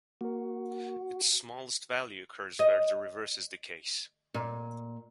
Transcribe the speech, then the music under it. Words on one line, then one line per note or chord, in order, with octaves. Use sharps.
Its smallest value occurs where the reverse is the case.
A#3 F#4 A#4
D#5
A#2